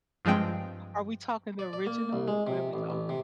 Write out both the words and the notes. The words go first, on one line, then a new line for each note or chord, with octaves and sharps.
are we talking the original? What are we talking?
G2 F3 G#3 C4 G5
D5
D5
A#3
C2
G#3
C3
A1
A1
C3